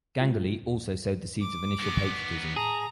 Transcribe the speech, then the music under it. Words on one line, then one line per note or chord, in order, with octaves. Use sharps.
Ganguly also sowed the seeds of initial patriotism.
G#3 F4
D#2
D6
D#3 B3
A2 G#4 A5 A#5 D#6